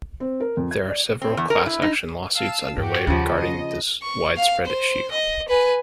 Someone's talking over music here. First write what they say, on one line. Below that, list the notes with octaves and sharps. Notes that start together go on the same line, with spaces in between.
There are several class-action lawsuits underway regarding this widespread issue.
C4
A#4
F2
G#6
D5
C4
E2
A#4
E4
D#4
F5 A5 E6
G2 F#4 G4
D#2 C#3 F3
D#5
C#6
F5
C5
D#5
B4 G#5